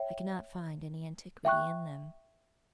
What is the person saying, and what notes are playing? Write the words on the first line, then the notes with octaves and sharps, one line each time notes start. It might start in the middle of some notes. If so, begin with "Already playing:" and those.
I cannot find any antiquity in them.
Already playing: C#5 E5 G5
E5 G5 C#6 F#6